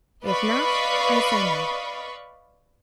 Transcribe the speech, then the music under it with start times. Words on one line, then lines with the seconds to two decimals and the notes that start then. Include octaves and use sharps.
"If not, I say no."
0.24 B4 D5 D#5 F5 B5 C#6